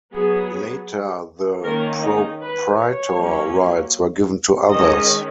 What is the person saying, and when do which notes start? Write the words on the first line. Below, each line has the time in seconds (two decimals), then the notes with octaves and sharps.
Later the proprietor rights were given to others.
0.12 F#3 B3 G#4
1.64 D#3 A#3 C#4 A#4
2.02 D#4
2.41 B4
2.79 C#5
3.17 F#3 A#3 C#4
4.69 D#3 G#3 C#4 D#5